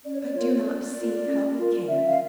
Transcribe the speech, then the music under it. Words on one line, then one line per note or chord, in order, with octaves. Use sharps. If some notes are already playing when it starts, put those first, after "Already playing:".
I do not see how he can.
C#4 D5
C#5
D5
F4 A#4 C#5
C#5
C#4 D5
F4 A#4
C#4
F4 A#4
C#4 E5
F5